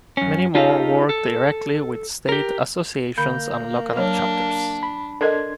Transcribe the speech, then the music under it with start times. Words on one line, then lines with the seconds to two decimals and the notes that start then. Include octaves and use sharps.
Many more work directly with state associations and local chapters.
0.17 F#2 C#4
0.55 D#4 F4 G4 A4 D#5 F5
1.09 A4
2.29 G4 A#4
3.18 D3 A#3 B5 G6
3.97 F#3 D4 C#5 F6
4.83 B5
5.21 D4 A4 A#4 D#5 C6 G#6